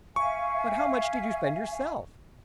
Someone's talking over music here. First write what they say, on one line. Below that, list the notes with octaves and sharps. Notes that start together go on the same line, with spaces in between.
"But how much did you spend yourself?"
E5 F5 G#5 C#6